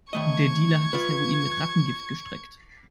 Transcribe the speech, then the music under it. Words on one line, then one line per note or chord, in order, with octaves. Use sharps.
Der Dealer hat das Heroin mit Rattengift gestreckt.
D#3 A3 D#5 C#6 G#6
F4 B4